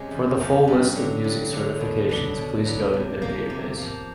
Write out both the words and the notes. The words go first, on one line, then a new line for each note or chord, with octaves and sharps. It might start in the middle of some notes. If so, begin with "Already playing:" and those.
For the full list of music certifications, please go to their database.
Already playing: C3 G#3 C#4
E2
C3 F3 G#3 C#4
G2
D3 F#3
G2
D3 F#3
B2
F#3 B3 D4
B2
F#3 B3 D4
C3
F3 A#3
C3
F3 A#3